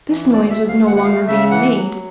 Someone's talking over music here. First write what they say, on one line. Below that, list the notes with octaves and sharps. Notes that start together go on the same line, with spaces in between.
This noise was no longer being made.
E3
D2 D5
E5
D2
F5
D2
F#5
F#5
A3 F5
C#3 E5
E3 F#5
F#3